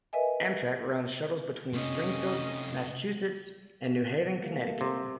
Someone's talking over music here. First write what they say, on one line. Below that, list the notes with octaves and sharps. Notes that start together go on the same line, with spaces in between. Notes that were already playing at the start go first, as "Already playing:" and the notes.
Amtrak runs Shuttles between Springfield, Massachusetts, and New Haven, Connecticut.
A#4 B4 D#5 E5 G#5
C3 A3 C#4 D#5
G3 A3 A#3
C3